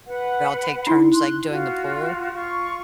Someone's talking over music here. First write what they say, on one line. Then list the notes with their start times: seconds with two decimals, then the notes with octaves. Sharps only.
we all take turns, like, doing the pool.
0.07 B4 F#5
0.87 D#4 E4
1.12 C6 F#6
1.48 F4 F#4
2.33 F4 C#6